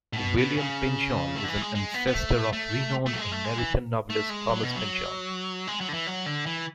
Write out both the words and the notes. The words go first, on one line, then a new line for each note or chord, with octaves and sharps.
William Pynchon is an ancestor of renowned American novelist Thomas Pynchon.
A2
B2
B2
C#3
A3
D3
E3
G#3
G#3
B3
B3
A3
A3
A3
F#3
G#3
A3
G#3
E3
A3
G#3
F#3
B2
F#3
G#3
F#3
D3
E3
F#3
D3
E3